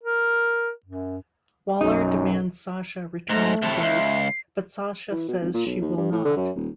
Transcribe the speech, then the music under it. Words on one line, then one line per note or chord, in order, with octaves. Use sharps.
Waller demands Sasha return to base, but Sasha says she will not.
A#4
F#2
B1 F#2 D#4
G#2 A3 A#5
A2 C3 A5
C#2 E5 C7
E3
B2
G#1
A#2
B1
D#2
G2
A2
D3
F#2
D#1